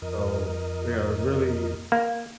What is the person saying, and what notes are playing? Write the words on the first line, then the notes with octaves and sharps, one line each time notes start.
so, yeah, it's really
F2 A#4 D#5
A#3